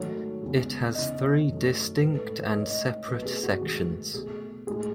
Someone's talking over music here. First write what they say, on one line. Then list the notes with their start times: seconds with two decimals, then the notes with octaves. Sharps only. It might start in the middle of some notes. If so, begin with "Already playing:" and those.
It has three distinct and separate sections.
Already playing: G#2 D#3 F#3 A3 C#5
0.42 E2 C#3 E3 G#3
0.95 E2 C#3 E3 D#5
1.22 C#5
1.48 F#2 D#3 A3
2.01 A2 G#3 B4
2.15 A4
2.28 B4
2.42 C#5
2.55 G#2 E3 A3 D#5
2.63 C#5
2.70 D#5
3.08 B2 F#3 A3 B4
3.26 G#4
3.43 F#4
3.61 G#2 D#3 A3 G#4
4.14 B2 A3 G#4
4.67 A2 G#3 G#4